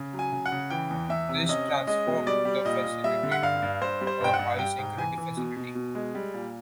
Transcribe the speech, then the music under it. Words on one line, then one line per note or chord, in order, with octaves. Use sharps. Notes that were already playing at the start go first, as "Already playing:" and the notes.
This transformed the facility to a high-security facility.
Already playing: C#3
F#3
G#5
C#3
F#5
C#3
E3 G5
E2
E2 E5
C3
C#4 D#5
C#4
G#3 D#5
B2
G3 D5
G3
A#2 D#5
A#2
G3 E5
D3
F#5
G2 F5
G2
G2 C5
G3
C5
G2 G5
F#5
G2
G3 G5
G#2
E3 G#5
E3
B2
B2
B2
G#3
G3
A#2